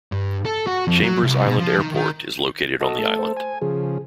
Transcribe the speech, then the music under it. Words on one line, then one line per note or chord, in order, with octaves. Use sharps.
Chambers Island Airport is located on the island.
G2
A4
F#4
F2
F#3
C2
B2
F3
D#3
D#3
F#4 A4 D#5
A3 A4
C5
G#5
C#3 F3 G#4